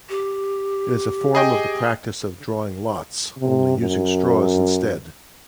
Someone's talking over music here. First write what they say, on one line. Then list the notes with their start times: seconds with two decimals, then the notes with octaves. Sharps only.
It is a form of the practice of drawing lots, only using straws instead.
0.09 G4
1.35 G#4 D#5 G5
3.38 C3
3.77 F#2